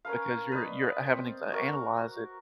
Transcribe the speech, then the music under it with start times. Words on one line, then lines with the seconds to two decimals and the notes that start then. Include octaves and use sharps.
because you're you're having it to analyze it
0.05 C#4 A#4 B4 F5
0.52 B4 D5 D#5
1.06 C4
1.52 F#4 A#4 C#6 D6